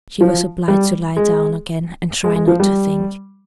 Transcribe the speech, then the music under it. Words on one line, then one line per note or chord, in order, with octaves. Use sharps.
She was obliged to lie down again, and try not to think.
F3
G3
G#3
G#3
G#3
F3
G3